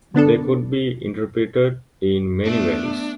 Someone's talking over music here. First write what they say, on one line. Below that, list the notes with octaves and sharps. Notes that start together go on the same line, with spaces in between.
They could be interpreted in many ways.
D3 B3 D4 A4
A3 B3 D4